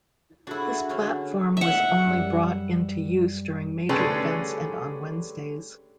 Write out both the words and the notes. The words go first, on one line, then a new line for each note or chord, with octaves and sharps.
This platform was only brought into use during major events and on Wednesdays.
D4 E4 F#4 G#4 A4
D3 C#4
E5 F#5
F#2 G3
D3 G3 A3 C#4 G#4 B4